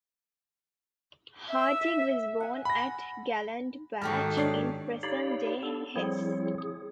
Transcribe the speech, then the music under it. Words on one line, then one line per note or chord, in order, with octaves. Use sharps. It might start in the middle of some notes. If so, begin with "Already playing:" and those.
Hartig was born at Gladenbach, in present-day Hesse.
E5
F#5 G#5
B5 A#6
G#2 D#3 F#4 G4 A4 F6
D4 C#5 D5 C7
D#4 G4 C#5 D5 F5 B5
B3 D4 A4
F3 G3 C4 E4 G#4 C#5
G#4